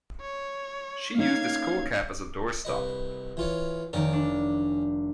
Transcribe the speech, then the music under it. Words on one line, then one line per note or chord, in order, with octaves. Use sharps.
She used the skull cap as a doorstop.
C#5
A#3 C#4 D#4 F5 G#6
C2 B4 D#5
E3 F4 C#5
F1 D#3 C#4 A#4 D5 D7
D4